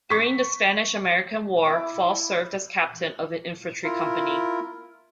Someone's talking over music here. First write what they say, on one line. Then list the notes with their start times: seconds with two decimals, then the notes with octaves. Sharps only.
During the Spanish-American War, Fall served as captain of an infantry company.
0.10 C#6 B6
1.65 E4 B5 D6
3.84 E4 F4 A#4